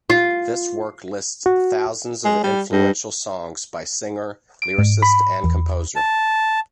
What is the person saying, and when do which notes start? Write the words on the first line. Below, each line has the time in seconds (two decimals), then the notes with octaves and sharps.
This work lists thousands of influential songs by singer, lyricist and composer.
0.10 F4
1.46 F#4
2.25 G#3
2.43 G3
2.72 G2
4.62 D7
4.78 G#2
5.02 B5
5.44 E2
5.96 A5